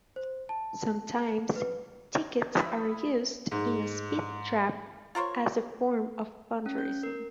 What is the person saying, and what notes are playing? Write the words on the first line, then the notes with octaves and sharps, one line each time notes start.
Sometimes tickets are used in a speed trap as a form of fundraising.
C5
A5
B4
E4 D#5 E5 B5
G#2
F4 A#4 C5 C#5
C#4
G6
A#4